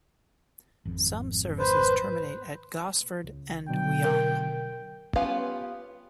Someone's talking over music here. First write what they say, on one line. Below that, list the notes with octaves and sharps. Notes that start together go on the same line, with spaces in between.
Some services terminate at Gosford and Wyong.
G#1 F2
B4 C5
C#2
B2 D3 F#3 G5
A#4
B3 C#4 F4 G4 F5